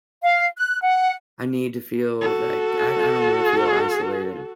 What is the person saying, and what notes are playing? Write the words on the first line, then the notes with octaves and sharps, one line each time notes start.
I need to feel like I I don't wanna feel isolated.
F5
F#6
F#5
F#4 A4